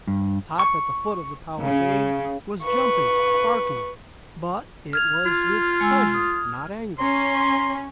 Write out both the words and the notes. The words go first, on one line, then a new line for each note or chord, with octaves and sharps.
Top, at the foot of the palisade, was jumping, barking, but it was with pleasure, not anger.
G2
C#6
C#3
B4 C#6
F6 G#6 F7
F4
G#3 G#5 E6
D#6
C#4 C#5 A#5 C6